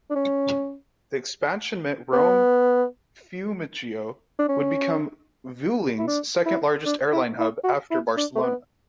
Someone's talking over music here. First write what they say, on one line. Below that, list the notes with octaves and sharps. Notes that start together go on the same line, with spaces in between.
The expansion meant Rome-Fiumcino would become Vueling's second largest airline hub, after Barcelona.
D4
C#4
B3
D4
C#4
E4
D4
E4
D4
E4
E4
F#4
E4
D4
A3
B3